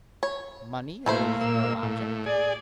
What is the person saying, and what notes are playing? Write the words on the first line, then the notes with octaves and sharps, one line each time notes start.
"Money is no object?"
C#5
A2 A3 A#3 E4 C5
A#2 E6
A2
G#4 D5